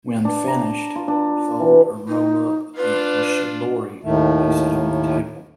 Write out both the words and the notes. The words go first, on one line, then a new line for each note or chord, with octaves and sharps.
When finished, fold or roll up the oshibori and place it on the table.
D4
A#5
F4
D4
E3
D#4
D4 F4 B4
D#2 A2 D#3 A3